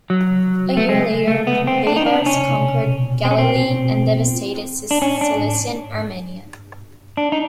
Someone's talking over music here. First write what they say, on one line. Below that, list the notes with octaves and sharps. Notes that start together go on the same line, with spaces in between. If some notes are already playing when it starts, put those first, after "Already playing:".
A year later, Baibars conquered Galilee and devastated Cilician Armenia.
F#3
A3
G#3
A3
B3
C4
D4
D#4
D4
C#4
C4
C#4
C4
D4
C#4
D4
D4
D#4